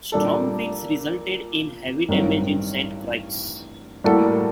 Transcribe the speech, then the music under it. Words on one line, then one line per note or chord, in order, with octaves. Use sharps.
Strong winds resulted in heavy damage in Saint Croix.
A#2 G3 D4 A4
A1 G2 D#3 F#3 C4
A2 G3 A#3 F#4 A4